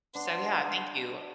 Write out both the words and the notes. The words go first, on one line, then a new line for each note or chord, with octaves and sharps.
so, yeah, thank you.
B3 D4 C6